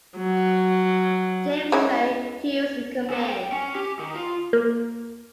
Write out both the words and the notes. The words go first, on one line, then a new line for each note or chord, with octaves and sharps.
James J. Hughes in command.
F#3
G#3 C#4 E4
C#3 C5
G5
C#4
G4
D#3
F4
A#3